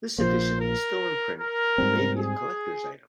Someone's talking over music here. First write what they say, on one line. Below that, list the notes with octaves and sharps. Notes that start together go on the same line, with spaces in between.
This edition is still in print and may be a collectors item.
A#1 A#2 F3 A#3 C5
A#4
A#4
G#2 G3 C4
G#4